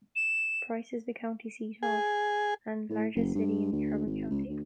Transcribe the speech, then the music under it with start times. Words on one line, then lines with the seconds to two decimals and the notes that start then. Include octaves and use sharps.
Price is the county seat of, and largest city in, Carbon County.
0.16 E7
1.83 G#4
2.90 A2
3.15 F#1
3.35 G2
3.72 D2
4.06 G#1
4.30 C#2
4.49 D2